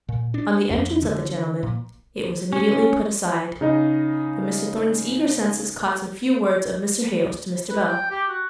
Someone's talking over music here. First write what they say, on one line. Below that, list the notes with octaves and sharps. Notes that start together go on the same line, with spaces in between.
On the entrance of the gentlemen, it was immediately put aside; but Mr. Thornton's eager senses caught some few words of Mr. Hale's to Mr. Bell.
A#2
D4
F2
D3
A#2
C#4
C#3 D#4 D#5
B4
G5
G4
F#4